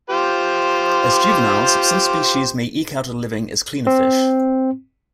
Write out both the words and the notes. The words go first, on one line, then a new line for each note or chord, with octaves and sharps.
As juveniles, some species may eke out a living as cleaner fish.
F4 G4 C5
C4